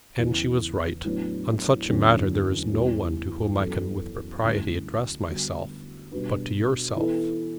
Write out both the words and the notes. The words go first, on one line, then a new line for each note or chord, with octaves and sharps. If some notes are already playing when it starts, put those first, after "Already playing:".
And she was right. On such a matter there is no one to whom I can with propriety address myself, but to yourself.
E2 C#3 E3
A2 F#3 B3 D4
E2 D3 F#3 C#4
E2 C#3 G3
F#2 E3 B3 F#4 A4
D2 D3 G3 C#4 E4
D3 G3 B3 F#4
B2 G3 D4 F#4 B4
E3 B3 E4 A4